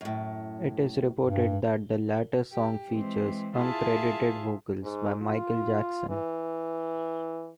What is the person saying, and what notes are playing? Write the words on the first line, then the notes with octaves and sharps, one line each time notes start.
It is reported that the latter song features uncredited vocals by Michael Jackson.
F#2 A2
G2
G4
E3 G#3 C4
E4 F4 G#4 E5 F5 A5
G#2
F4
E3